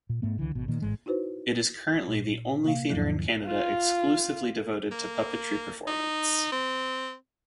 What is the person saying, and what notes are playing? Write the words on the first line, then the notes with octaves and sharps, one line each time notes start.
It is currently the only theatre in Canada exclusively devoted to puppetry performance.
A#2
G#2 A3 B3
C#2 D3 E3
G#1 B2
A#2 D#3 A#3
A1 G#2 G#3
D#4 E4 F#4 B4 C5
A#2
C3 A#3 F5
E2 G#2 F3 F#3 E4
D#3
F4
A#3
D#4
C4